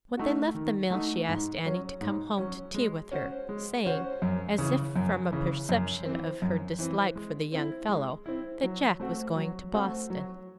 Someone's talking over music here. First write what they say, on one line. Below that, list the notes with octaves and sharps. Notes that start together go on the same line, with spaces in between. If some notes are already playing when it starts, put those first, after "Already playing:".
When they left the mill she asked Annie to come home to tea with her, saying, as if from a perception of her dislike for the young fellow, that Jack was going to Boston.
A3 D#4 F#4
D#3
A3 D#4 F#4
G#2
F#3 C#4
G#2
F#3 C#4
G#3
C#4 F#4 C5
G#3
C#4 F#4 C5
F#2
C#3 E3
F#2
C#3 E3
F#2
E3 C4
F#2
E3 C4
G#3
C4 E4
G#3
C4 E4
F#3
A3 C4 F#4
F#3
A3 C4 F#4
F#3